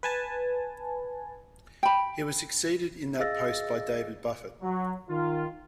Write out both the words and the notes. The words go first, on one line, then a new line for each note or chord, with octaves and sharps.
He was succeeded in that post by David Buffett.
B4 G#5 A5
G5 B5
G#4 D#5 F5 E6 A6 A#6
F#3
D#3 F4